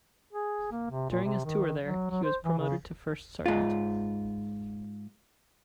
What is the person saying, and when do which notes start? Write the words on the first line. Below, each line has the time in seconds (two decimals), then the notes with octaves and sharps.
During his tour there, he was promoted to first sergeant.
0.33 G#4
0.72 A#3
0.90 C3
1.10 A#2
1.24 C3
1.45 D#3
1.82 F#3
2.10 F#3
2.24 C5
2.45 E3
2.59 C#3
3.46 G#2 F4